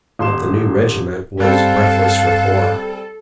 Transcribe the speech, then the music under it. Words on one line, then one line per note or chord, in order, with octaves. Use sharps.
But the new regiment was breathless with horror.
D#1 C6 E7
G2 G3 C4 A4 F5 F#6